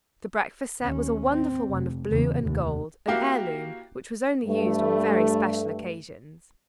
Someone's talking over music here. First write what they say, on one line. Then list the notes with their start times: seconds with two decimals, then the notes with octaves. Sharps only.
The breakfast-set was a wonderful one of blue and gold, an heirloom, which was only used on very special occasions.
0.82 D#2 C#4
1.27 C4
1.69 F1
2.11 E2 C#3
2.44 F1 D#2
3.07 A#3 E4 F#4 G4 F5 G5
4.45 G2 A3